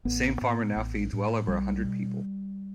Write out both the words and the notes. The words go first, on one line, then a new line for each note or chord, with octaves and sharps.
The same farmer now feeds well over a hundred people.
A1 B3
A2
A1
A2
B1 G3
B2